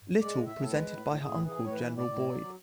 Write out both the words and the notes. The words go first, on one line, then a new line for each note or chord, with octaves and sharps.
Little presented by her uncle General Boyd.
G#3 D5
A2
E5
A2
A4
G#3 B4
A2
A2
A2 G#4
E3
G#4
A2
C#5
E3 B4
A2
D5
A2
F#3
F#3